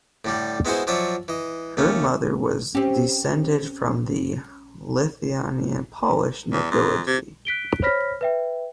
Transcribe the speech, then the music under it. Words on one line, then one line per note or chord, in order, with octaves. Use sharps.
Her mother was descended from the Lithuanian-Polish nobility.
A2 D3 G3
G#3 B3 E4 F#4 G#4 C5
F3 F#3 F#4 C#5 D5 E5
E3 D#5
D#2 A3 C#4
C4 C#4 G4
E2
F2
C3
F#6 B6 D7 G7
C5 C#5 B5 F6 A#6 B6
B4 E5 G5